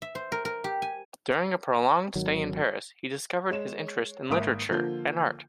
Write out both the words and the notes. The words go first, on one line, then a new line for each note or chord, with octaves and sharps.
During a prolonged stay in Paris, he discovered his interest in literature and art.
E5
C5
A#4
A#4
G4
G#5
G#1 D#3 F#3
G#3 C#5 E7
G#1 A#3 E5 D#6 D7
D3 F3 A#3 F4 G6